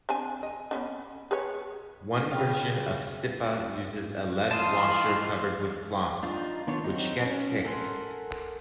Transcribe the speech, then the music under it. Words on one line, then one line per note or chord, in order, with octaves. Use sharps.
One version of Sipa uses a lead washer covered with cloth, which gets kicked.
C4 D4 G#5
D#5
B3 C#4 D4
G#4 B4 C#5
C#3 G3 C#4 F4
E3 F4 D#5 A5
D4 D#4 F4
D#3 B3 D4 F4 C#5
F#3 C4 D#4
C#4
A4 A#4 F#5 G#5 C6